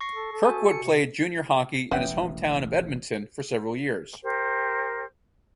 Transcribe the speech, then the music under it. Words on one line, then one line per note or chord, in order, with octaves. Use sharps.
Kirkwood played junior hockey in his hometown of Edmonton for several years.
C#6 A#6 C7
A4
A4
F#4 G#5
C#7
C3
E1 A1 C#4 B4 E5 F#5 G5
G4 A#4 C5